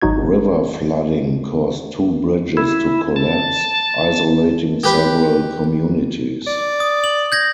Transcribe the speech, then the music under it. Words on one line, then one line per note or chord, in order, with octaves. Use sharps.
River flooding caused two bridges to collapse, isolating several communities.
G#1 F#3 D#4 F#4 G#6
E4
A5
G4 B4
D5
D#6
F#7
G6 G#6 A#6